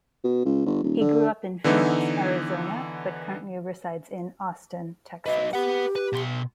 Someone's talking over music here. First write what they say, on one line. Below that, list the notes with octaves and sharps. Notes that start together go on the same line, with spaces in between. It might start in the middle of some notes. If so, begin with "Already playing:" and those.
He grew up in Phoenix, Arizona, but currently resides in Austin, Texas.
B2
C#2
G1
D#1
D3
D3 E3 B3 D#4 E4
F#3 B4 D#5
G4 B4 F#5
B4
B2 C6